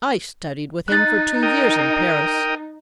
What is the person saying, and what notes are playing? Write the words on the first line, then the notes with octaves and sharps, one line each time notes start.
'I studied with him for two years in Paris.
D#4 F#6 A6
A#4 G5 D#6